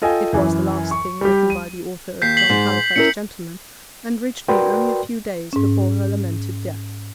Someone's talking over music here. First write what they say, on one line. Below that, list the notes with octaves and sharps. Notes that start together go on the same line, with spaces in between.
It was the last thing written by the author of John Halifax, Gentleman, and reached me only a few days before her lamented death.
F4 A4 D#5 G5 G#5
F#2 E3
C#6
G3 G4
D#7
D#2 G6 B6 C7
B6 C7 F#7
G#2 D#4
C#4 E4 A#4 C#7
F#4 A#4 B4 D5 G5 C6
G#2 C#4